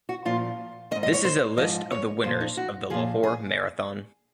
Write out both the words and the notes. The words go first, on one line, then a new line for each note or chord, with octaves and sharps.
This is a list of the winners of the Lahore Marathon.
F#4
A#2 F3 F4
D#3 D#5
G#2
D#5
C#5
C5
G#2 F3 D#5
C#5
A#2 F3 C5
D#4
F#4
A#2 F3 G#4
G#4